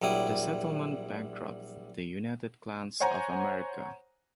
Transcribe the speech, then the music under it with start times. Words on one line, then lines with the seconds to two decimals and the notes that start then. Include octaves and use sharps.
The settlement bankrupted the United Klans of America.
0.02 A#1 F#3 G3 E4 D#6
3.00 C5 C#5 F#5 G#5 A#5